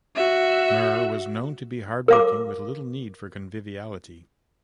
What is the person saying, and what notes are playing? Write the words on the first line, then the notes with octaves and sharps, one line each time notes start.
Muir was known to be hard working with little need for conviviality.
F#4 E5
A#4 F5 D6